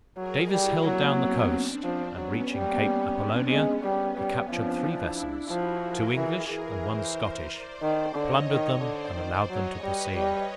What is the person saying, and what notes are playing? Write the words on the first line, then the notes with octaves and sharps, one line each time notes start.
Davis held down the coast, and reaching Cape Appolonia he captured three vessels, two English and one Scottish, plundered them, and allowed them to proceed.
F#3 G#4 A#4
G3 E4 F#4
F#3 A#3 C4
B3 C#4
C4 D4
F3
F#3 B3 C#4
G3 A#3 C4
B3 C#4
C4 D4
G#3 B3 C#4
G3 B3 C#4
G3 B3 C#4
F3 C4 D4
D4 E4
F3 E4 F#4
G#4 A#4
E3
E3
A#4 C5
C5 D5
D#3 C5 D5
D3 C#5 D#5
D#3 C#5 D#5
D3 C5 D5
D#3 C5 D5
F#3 C#5 D#5
G3 B4 C#5
G3